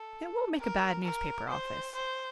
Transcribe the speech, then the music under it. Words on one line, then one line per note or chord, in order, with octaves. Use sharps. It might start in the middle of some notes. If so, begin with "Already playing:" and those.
It won't make a bad newspaper office.
Already playing: A4
A#4
A#4
C5
C5